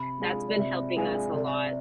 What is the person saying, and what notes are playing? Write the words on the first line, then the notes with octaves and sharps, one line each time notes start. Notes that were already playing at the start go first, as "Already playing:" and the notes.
that's been helping us a lot.
Already playing: C3 B5
G#3 D4 F4 G#4
D5
C3 E5
G#3 D4 F4 G#4 G#5
C3 D5
E5
D5